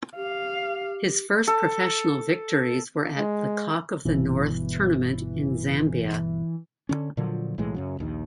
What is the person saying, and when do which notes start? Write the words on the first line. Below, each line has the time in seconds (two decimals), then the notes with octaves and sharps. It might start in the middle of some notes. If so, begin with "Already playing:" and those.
His first professional victories were at the Cock of the North tournament in Zambia.
0.16 G4 F5
1.47 A4
3.17 G#3
4.05 G1 B2 E3
6.89 D3 C#4
7.17 A#2 D3 F3 F#3
7.58 B1 A2 E3 G#3
7.74 F#2 C#3 F#3
7.99 A#1 D#2 D#3